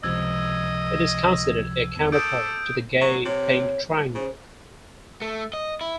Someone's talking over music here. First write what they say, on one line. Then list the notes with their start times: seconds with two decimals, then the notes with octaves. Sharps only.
It is considered a counterpart to the gay pink triangle.
0.03 C#2 C3 F3 D#5 E6 G#6
1.96 E2
2.12 A4 D6 D#6 G6 D7
3.01 F#3
3.25 C3 C#5
4.15 C#3 C5
5.22 A3
5.53 D#5
5.81 E4